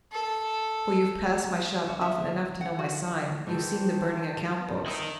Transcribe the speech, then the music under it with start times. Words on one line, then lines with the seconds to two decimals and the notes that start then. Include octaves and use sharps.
For you've passed my shop often enough to know my sign: you've seen the burning account-books.
0.12 A4
1.87 F#4
2.01 E5
2.61 F#5
2.79 F#4
3.47 G#2 D#3 E3 C5 A5
4.60 B3
4.86 D#3 D#4 E5